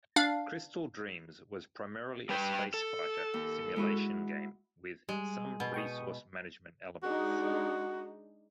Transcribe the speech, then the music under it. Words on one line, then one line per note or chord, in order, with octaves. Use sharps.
Crystal Dreams was primarily a space fighter simulation game with some resource management elements.
D4 F5
G3 B4 G5
A4
D#2
G#3 E4 F#4
G3 G#3
B2
G5 C#6 D#6
G#3 D4 D#4 F#4